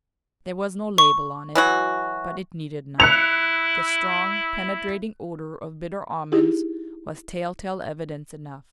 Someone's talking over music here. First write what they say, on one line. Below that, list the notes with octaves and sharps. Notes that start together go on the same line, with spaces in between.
There was no label on it, but it needed none--the strong, penetrating odor of bitter almonds was telltale evidence enough.
C#6
E3 F#3 F#4
E4 F#6 C#7 F7
D#4 E4 G4 G#4